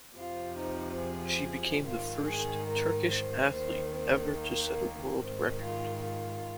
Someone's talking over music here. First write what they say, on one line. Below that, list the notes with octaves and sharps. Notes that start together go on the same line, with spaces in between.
She became the first Turkish athlete ever to set a world record.
F2 C3 F3 F4
D#4
G#4
G#2 D#3 F4
G#4
A#4
C5
D#2 D#3 C5
C4
A#3
G#2 D#3 C4
F4
F4